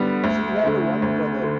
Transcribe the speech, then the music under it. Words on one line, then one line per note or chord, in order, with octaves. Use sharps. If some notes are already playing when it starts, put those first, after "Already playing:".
She had one brother.
Already playing: D3 G3 B3
D2
D3 A3
D2
D3